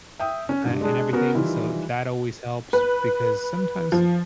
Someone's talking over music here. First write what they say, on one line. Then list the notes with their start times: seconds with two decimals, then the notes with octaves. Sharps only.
uh, and everything so, that always helps because sometimes,
0.19 E5 G5 D#6
0.49 C#4
0.66 G2 G3
0.81 G#3 D4 G#4
1.13 B3 C#4 F#4 A#4
1.34 D#3 E3 G3 E4 F4
2.73 B4
3.92 F3